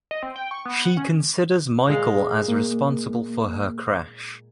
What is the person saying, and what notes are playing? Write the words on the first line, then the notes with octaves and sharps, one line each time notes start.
She considers Michael as responsible for her crash.
D#5
C4
G5
C#6
B3
F#5
C#4
A#2 G#3 F5
A#3